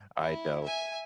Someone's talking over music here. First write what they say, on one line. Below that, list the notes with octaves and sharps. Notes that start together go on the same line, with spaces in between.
I know.
E4
E5 G#5